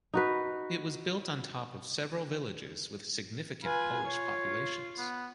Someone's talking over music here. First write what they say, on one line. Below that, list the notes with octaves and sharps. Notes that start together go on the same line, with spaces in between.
It was built on top of several villages with significant Polish populations.
D#4 F#4 B4
F4 B4 G#5
F4 C#5
B3